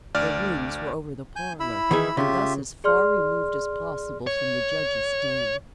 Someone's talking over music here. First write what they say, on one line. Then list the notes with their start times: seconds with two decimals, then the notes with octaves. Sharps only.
Their rooms were over the parlour and thus as far removed as possible from the judge's den.
0.15 D2 D5 F6
1.36 G#5 G6
1.60 E4 B5 E6
1.91 D#3 E3 G#4
2.17 C#3 F4 G4 E5
2.84 G#4 D5 C6 F6
4.27 C#5